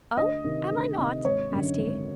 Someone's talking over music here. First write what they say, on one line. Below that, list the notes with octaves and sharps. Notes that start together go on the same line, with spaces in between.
'Oh, am I not?' asked he.
D2 D#5
C3 D#3
D2
C3 D#3
G#1 C#5
F#2 D3
G#1